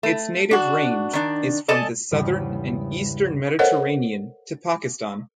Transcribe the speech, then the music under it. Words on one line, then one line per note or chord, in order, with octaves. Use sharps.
Its native range is from the southern and eastern Mediterranean to Pakistan.
A3
D4 F#4
D#3 D4
A4 D5 D#5 G#5 A5
E2 G#2 C#3 G3 D4 E4
A4 A#4 C5 C#5 D#5 F#5